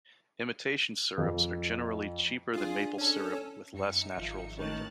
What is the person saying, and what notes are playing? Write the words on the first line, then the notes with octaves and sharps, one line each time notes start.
Imitation syrups are generally cheaper than maple syrup, with less natural flavour.
F2
D4 F4 G#4
C#4 A4
F#2 D#4 E5 C#7
G#1 F3
A2 D#3 C#4 A5 F#6 A6